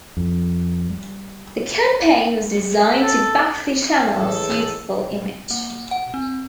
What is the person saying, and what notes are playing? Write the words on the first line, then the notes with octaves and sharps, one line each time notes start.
The campaign was designed to back the channel's youthful image.
F2
G3
A4
A1 G#3 A4
A#3
F#5
C4